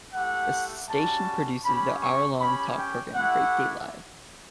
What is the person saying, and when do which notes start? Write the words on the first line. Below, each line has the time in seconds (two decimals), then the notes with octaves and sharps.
The station produces the hour-long talk program Great Day Live!
0.14 A3 E4 G4 F#5
0.89 G3 C#4 F#4 A5
1.64 C#4 G4 B5
2.03 C#6
2.40 C#4 G4 B5
2.77 G5
3.15 A3 E4 G4 F#5